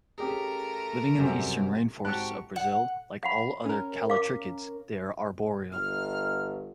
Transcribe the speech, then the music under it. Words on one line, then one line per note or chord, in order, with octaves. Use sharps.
Living in the eastern rainforests of Brazil, like all other callitrichids they are arboreal.
A3 C#4 G4 G#4 A#4
F#2 C3 G3
G#2 C4 F#4 G4 A5 C#6 F#6
F#5
F5 F#5 B5
C#4 A#4
F5 D6
G1 F6